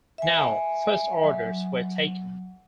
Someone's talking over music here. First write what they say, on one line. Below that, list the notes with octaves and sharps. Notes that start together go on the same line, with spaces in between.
Now, first orders were taken.
E5 G#5
F#3